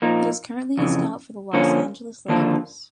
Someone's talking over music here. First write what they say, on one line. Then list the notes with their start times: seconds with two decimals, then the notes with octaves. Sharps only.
He is currently a scout for the Los Angeles Lakers.
0.02 A#2 F3 A#3 D#4
0.78 F2 C#3 E3
1.53 D3 F3 A#3 C#4
2.28 D#2 D3 F3 A#3 D4